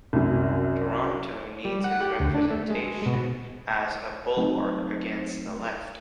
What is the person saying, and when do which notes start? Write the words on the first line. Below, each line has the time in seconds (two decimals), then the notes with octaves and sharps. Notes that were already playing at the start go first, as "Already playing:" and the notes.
Toronto needs his representation as a bulwark against the left.
0.13 C2 F#2
1.65 G3
1.84 F#5
2.01 G4
2.19 D2
2.34 D4
2.51 A3
2.70 G#3
2.82 G#3
3.06 B2
4.37 F#3 A3 C4 D#4